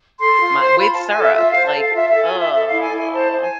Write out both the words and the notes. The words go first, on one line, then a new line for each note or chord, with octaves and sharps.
My with syrup, like, ugh.
A4 C6
F4
C5
F4 B5
F4 A5
G#5
A4 E5
F4 E5
C5 F5
A5
A4 F5
F4 E5
E5
A4
G#5
F4 E5
A4 E5
E4 F5
G#5
E4
G#5
C5 A5
C5
G#5